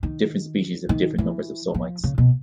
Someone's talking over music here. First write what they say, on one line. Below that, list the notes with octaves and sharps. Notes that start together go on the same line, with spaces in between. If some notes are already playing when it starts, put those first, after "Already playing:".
Different species have different numbers of somites.
D#3
D#3
E3
F3
C#3
B2